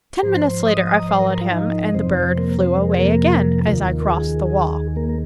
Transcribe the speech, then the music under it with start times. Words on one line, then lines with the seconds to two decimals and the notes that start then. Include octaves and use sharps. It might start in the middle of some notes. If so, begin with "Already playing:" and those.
Ten minutes later I followed him, and the bird flew away again as I crossed the wall.
0.18 A#5
0.23 G#2 F3 C5 C6
0.61 C6
0.65 D#5 D#6
0.87 D#5 D#6
0.99 A#5
1.09 C5 C6
1.19 A#4 A#5
1.30 A#4 A#5
1.41 F4 F5
1.52 D#4 D#5
1.89 D#5
1.94 F2 C3 F3 C4 C5
2.32 C5
2.38 A#3 A#4
2.59 C4 C5
2.81 A#4
2.90 G#4
2.98 A#3 A#4
3.67 D#2 D#3 F4
4.01 A#4
4.10 G#4
4.96 A#3 A#4
5.09 A#4